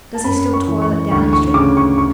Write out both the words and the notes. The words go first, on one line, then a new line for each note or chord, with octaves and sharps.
Does he still toil at Downing Street?
A5
F#2 B5
C#6
E3
C#6
D2 C#6
C#6
C#3 D6
C#6
C#6